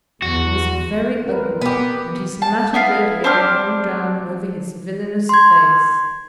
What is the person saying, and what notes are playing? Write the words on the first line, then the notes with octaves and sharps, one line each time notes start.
He was very ugly and his matted red hair hung down over his villainous face.
E2 F#4
C4 A#4 B4
B3 G4
A5
B3 E4 F5
C4 D4 G4 F6
C6 G#6